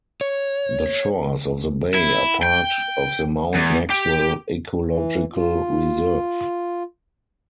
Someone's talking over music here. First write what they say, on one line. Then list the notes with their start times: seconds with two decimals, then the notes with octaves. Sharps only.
The shores of the bay are part of the Mount Maxwell Ecological Reserve.
0.21 C#5
1.94 E4
2.43 G5
3.54 E2
3.90 G4
4.85 E3
5.34 F4